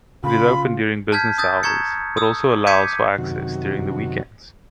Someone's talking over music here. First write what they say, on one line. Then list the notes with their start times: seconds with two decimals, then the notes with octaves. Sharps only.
It is open during business hours but also allows for access during the weekends.
0.24 C#3 F4 B5
1.12 A5 F6 G6 G#6 B6
1.38 D#6 E6 G6 A6
1.63 A#5 C#6 G#6 C#7
2.17 D#6 E6
2.67 D6 G6 G#6 B6 C#7 D#7
3.18 F#2 C3 D#3 F#4